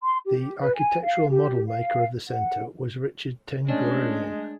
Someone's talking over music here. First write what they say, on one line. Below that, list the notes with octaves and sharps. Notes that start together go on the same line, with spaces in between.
The architectural model maker of the Center was Richard Tenguerian.
C6
G4
B4
G#5
F5
G4
F5
F#5
G#3 A3 C#4 D4 D#5